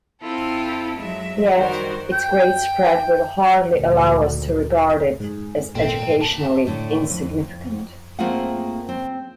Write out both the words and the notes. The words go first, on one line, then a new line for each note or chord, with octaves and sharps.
Yet its great spread will hardly allow us to regard it as educationally insignificant.
C4 E4 F4 A4
F#3 G#3 E5
D#3 G3 F#4 A#4 C5
G5
D2 A#2
G#2 G#4
G#1 A#2 A3 C4 A#4
A#2 A5
A2 D3
F2
A3 A#3 C4 F4 G#4 F#5
C4